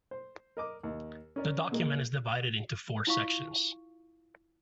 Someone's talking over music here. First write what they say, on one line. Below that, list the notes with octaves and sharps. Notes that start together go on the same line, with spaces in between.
The document is divided into four sections.
C5
A#4 D#5 D6
D#2
C#4 A#4 D5
A#2 G#3 A#3
E4 F4 F5 C#6